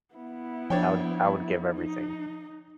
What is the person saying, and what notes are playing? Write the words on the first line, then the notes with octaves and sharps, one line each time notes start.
I would I would give everything.
B3 E4
F3 D4 C#5 G5
D#4